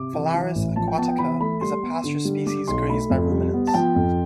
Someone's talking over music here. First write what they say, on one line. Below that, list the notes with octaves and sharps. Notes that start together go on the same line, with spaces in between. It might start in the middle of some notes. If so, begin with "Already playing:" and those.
"Phalaris aquatica" is a pasture species grazed by ruminants.
Already playing: C3 D6
E3
E3
A1
F3 A5
G5
B3 A5
G5
E3 B5
A3 B5
G3 C6
B3
D3
G3
G3 D6
B1 C6
A3 B5
F2
G3
B3
A5
F3 G5
F2